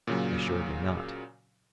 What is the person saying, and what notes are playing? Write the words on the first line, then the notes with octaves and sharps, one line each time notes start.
Assuredly not.
A#2 C#3 F#3